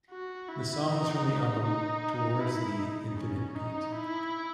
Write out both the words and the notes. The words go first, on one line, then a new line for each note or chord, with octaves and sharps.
The song was from the album "Towards Thee Infinite Beat".
F#4
E4
D#4
D#4
E4
D#4
C#4
D#4
E4